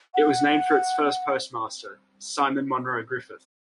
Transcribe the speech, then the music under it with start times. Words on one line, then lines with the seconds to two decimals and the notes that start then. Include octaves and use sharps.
It was named for its first postmaster, Simon Monroe Griffith.
0.14 F#5